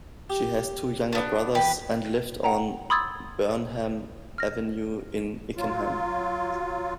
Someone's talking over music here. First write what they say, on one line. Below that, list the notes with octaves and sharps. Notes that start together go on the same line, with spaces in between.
She has two younger brothers and lived on Burnham Avenue in Ickenham.
G4
B3 D4
E3 G4 B4
F#5 G5 A#5
B5 C6 D#6 E6 G#6 A6
F6 A#6
F#3 F4